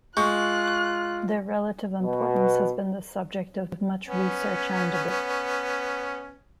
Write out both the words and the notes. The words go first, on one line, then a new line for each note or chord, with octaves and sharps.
Their relative importance has been the subject of much research and debate.
G#3 F4 C#6 F#6 G6
B2
B3 C#4